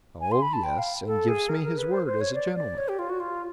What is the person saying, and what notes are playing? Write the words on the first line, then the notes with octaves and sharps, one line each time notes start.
"Oh, yes; and gives me his word as a gentleman."
G#5
C6
B5
A5
G5
F5
A4
G#4
A#4
A#4
B4
C5
C5
C#5
D5
D5
C#5
G4
F4
F#4
F4